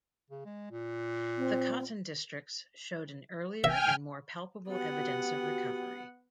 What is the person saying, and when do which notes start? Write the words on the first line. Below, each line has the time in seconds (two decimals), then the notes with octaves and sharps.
The cotton districts showed an earlier and more palpable evidence of recovery.
0.30 C#3
0.45 G#3
0.72 A#2
1.38 C4
3.64 E5 G5 G#5 F6
4.69 B3 F#4 G4 F#5